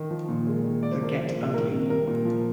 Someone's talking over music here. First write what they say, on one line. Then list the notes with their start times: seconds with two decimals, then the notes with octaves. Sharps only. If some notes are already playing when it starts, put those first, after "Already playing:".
The Get Ugly!
Already playing: D#3
0.10 F3
0.28 A#2
0.47 G#3
0.64 D#3
0.82 A#3 D5
0.92 C5
1.00 F3 A#4
1.13 G#3 C5
1.36 A#2
1.54 D#3 A#4
1.72 C3
1.89 G3 A#4
2.07 A#2
2.25 F3